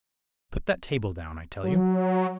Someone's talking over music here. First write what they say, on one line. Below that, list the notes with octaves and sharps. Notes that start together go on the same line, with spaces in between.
"Put that table down, I tell you."
F#3